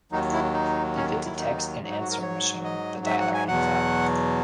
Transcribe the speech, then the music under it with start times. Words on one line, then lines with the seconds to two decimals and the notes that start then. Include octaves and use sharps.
If it detects an answering machine, the dialer hangs up.
0.12 D#2 D#3 F#3 D#4
0.33 E4
0.54 D#4
0.96 C#4
1.24 E4
1.38 D#4
1.80 G#2 F#3
1.90 D#4
2.01 F#4
2.11 A#4
2.22 C#5
2.64 D#5
3.06 E5
3.20 F#5
3.34 G#5
3.48 E2 B2 F#3 F#5